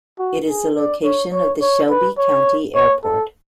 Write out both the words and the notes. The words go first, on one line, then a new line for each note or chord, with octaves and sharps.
It is the location of the Shelby County Airport.
F#4
G#4
D5
C#5
C#5
C#5
B4
C#5
C#5
A4